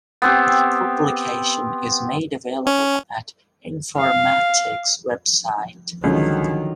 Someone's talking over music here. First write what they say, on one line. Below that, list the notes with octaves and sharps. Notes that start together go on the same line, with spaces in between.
The publication is made available at Informatics Website.
B3 C4 G4
C#4
F5
C#2 D3 D#3 F3 F#3